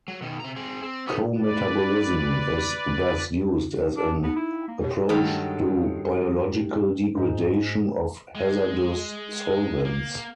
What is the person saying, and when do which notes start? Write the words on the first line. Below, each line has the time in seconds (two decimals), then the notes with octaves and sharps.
Co-metabolism is thus used as an approach to biological degradation of hazardous solvents.
0.08 F#3
0.22 B2 D#3
0.40 C3 A#5
0.56 C4 G#4
0.82 C4
1.06 B3 D#4
1.38 B4 D5
3.97 D4
4.23 B3 D#4
4.36 E4
4.68 A#3
4.81 B2 G4 C#5
5.09 G2 D#3 F#3 G#3 A4
7.17 G#2
8.35 G#3
9.85 A#3